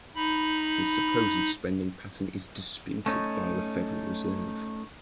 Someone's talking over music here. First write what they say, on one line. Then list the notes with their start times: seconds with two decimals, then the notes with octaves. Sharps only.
This supposed spending pattern is disputed by the Federal Reserve.
0.15 D#4 B5
3.06 A3 C#4 D#4